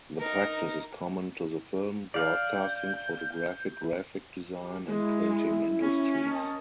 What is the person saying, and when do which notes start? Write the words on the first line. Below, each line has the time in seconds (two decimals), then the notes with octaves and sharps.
The practice is common to the film, broadcasting, photographic, graphic design and printing industries.
0.20 D#4 A#4
2.14 D5 F5 G6
4.58 G4
4.87 G#3 E4
5.81 C#4
6.26 A#4 D#5 A5